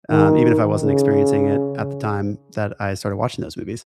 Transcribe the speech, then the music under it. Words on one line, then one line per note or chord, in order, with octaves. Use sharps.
um, even if I wasn't experiencing it at the time that I started watching those movies.
D#3
C#3